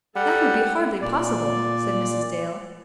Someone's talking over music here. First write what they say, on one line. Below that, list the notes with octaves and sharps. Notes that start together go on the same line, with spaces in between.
"That would be hardly possible," said Mrs. Dale.
G3 A4 F#5
A#2 D5